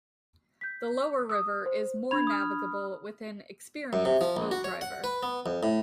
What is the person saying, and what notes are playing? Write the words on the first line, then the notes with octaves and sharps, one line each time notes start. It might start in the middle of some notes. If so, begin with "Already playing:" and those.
The lower river is more navigable with an experienced boat driver.
G6 B6
D#6 E6
C5
D4 B5 G#6 F7
D#6 F6
F#2
C3
F3
A#1
F#4
C#5
F#5
B4
B3
F2
A2